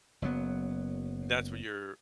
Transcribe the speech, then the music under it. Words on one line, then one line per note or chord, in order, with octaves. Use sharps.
that's what your
F#1 F#3 B3